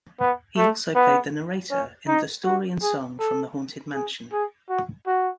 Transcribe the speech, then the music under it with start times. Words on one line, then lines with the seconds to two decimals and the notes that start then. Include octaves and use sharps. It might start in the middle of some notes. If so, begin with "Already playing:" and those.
He also played the Narrator in "The Story and Song From the Haunted Mansion".
0.20 B3
0.57 A3
0.95 B3
1.70 C#4
2.07 D#4
2.45 F#4
2.82 G#4
3.20 A4
3.94 G#4
4.32 G#4
4.70 F#4
5.07 F#4